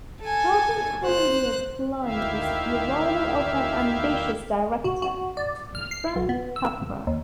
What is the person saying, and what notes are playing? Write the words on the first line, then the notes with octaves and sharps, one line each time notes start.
Helping Columbia's climb was the arrival of an ambitious director, Frank Capra.
A4 G#5
C5 F#6
D2 D#3 E4 G4 E5 F5
F#4
F#4
D5
F6
C7
B1
B3
E6
D#2